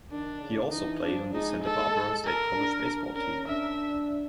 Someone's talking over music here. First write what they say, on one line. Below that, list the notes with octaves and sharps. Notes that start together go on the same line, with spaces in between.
He also played on the Santa Barbara State College baseball team.
D#3 D4
C#3
E3 D#4
F3 D4
G#3 D#4
A4
A#4
D4
C#4 A#4
D4 E5